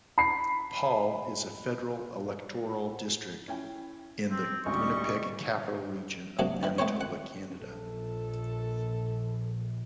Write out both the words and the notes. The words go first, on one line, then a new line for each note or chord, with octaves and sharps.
Paul is a federal electoral district in the Winnipeg Capital Region of Manitoba, Canada.
B5 C7
C#4 E4 G5
C4
G#1 D2 A2 G3 D#5 C#6
C3 F#3 A#3 D4
D#3 E3
G#3 A3 B3 C4 C5 C#5
F#5
A#1 A4